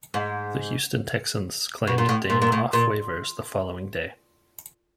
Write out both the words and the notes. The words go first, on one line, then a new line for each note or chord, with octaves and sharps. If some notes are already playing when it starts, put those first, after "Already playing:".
The Houston Texans claimed Dayne off waivers the following day.
G#2
B2
A#2
A2
A#2
A#2
A2
A#2